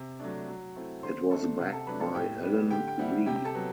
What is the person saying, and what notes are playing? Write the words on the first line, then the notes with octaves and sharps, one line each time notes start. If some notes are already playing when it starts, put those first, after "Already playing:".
It was backed by Allen Lee.
Already playing: C3
F#3 A3 D4
F#3
A3 C4 E4
D3 C5 C6
A3 D4 A4 A5
C3 F#5
A4 A5
F#3 A3 D4 B4 B5
A4 A5
A2 G4 G5
G3 B3
D3 G4 G5
G5
G3 C4 E4 F#5
C3 G4 G5
A4 A5
F#3 B3